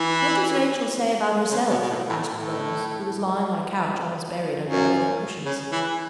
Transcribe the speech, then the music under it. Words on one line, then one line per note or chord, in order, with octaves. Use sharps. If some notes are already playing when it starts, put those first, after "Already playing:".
"What does Rachel say about herself?" asked Rose, who was lying on a couch almost buried under elegant cushions.
Already playing: E3
C#3
B2
B2
A2
A2
A2
F#2
C#3
E3